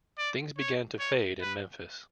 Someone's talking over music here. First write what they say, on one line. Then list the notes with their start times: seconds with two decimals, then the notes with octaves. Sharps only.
Things began to fade in Memphis.
0.18 D5
0.59 C#5
1.00 C#5
1.41 B4